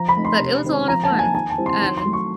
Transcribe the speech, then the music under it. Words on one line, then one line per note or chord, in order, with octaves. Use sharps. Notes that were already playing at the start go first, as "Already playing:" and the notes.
But it was a lot of fun. And
Already playing: F3 A#5
B5
A3 C4 D#4
C6
C3
D#3 G#3 C4
F3 A#5
A5
A#3 D#4
G#5
D#3 G#5
A5
G3 C4 E4
C6
D#3 C6
C6
F#3 A3
C#6